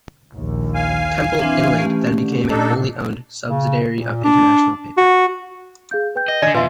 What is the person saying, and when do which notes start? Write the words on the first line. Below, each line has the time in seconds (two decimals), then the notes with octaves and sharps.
Temple-Inland then became a wholly owned subsidiary of International Paper.
0.36 A#1 D#2
0.74 F5 G#5
1.40 E3 C4 D4 E5
1.78 A3 C#4 G4
2.16 D3
2.50 A#2 D4 D#4 A4
3.48 C#3
3.96 A#2
4.24 D4
4.97 F#4
5.91 G#4 F5 G6
6.15 B4 G5 G6
6.28 D#5
6.42 D3 D#3 D5 D#5 G#5
6.55 F2 B2 F4 B4 E5